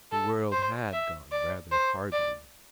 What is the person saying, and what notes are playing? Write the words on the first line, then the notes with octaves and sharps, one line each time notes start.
The world had gone rather hardly with her.
A4
C5
E5
D5
C5
D5